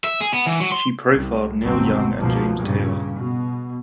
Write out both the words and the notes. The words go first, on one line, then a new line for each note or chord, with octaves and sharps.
She profiled Neil Young and James Taylor.
E5
G#4
B3
E3
F#3
C6
C2
G1 D#2 B2 F#3 A3 C4
C#2 B2 F3 A#3
G2 A#2 C#3
B2